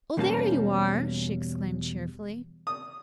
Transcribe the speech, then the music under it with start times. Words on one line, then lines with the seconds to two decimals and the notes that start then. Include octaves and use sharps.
"Oh, there you are!" she exclaimed cheerfully.
0.17 E2 B2 G3 A#3 C#4 A5
2.67 D#6